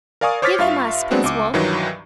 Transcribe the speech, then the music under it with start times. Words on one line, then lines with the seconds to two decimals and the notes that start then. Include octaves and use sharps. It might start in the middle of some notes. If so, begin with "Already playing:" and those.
'Give him us, Prince Wulf!
0.21 A#4 D5 F5 G#5 C#6 D#6
0.42 C5 C#5 D6 F6 A6 B6
0.59 G2 F4 E5 F5 C#6
1.11 F#3 G#3 B3 C4 D4 F#4
1.24 C#2 D6
1.54 G2 D#3 E3 F#3